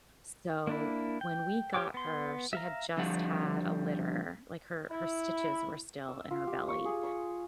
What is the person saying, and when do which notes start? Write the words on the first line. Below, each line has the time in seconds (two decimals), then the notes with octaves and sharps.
So, when we got her, she had just had a litter, like her her stitches were still in her belly.
0.67 A#3 D4 E4
1.21 G5
1.74 G4 C#5 G5 D6
1.94 B3 C6
2.53 E5 F5 A#5
2.97 D3 F3 G3 F#5
4.91 E4
6.09 E6
6.31 F4
6.47 G4
6.68 C#6
6.85 G#4
7.03 C#6